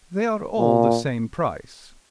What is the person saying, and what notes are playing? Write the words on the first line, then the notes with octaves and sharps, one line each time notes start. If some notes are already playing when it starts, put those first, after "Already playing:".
"They are all the same price."
A#2